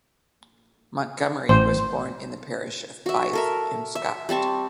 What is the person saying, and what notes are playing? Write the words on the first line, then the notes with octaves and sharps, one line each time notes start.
Montgomerie was born in the parish of Beith in Scotland.
A1 C5
F#4 E5
A4 A#4 E5
E5
G3 C4 A5 C#6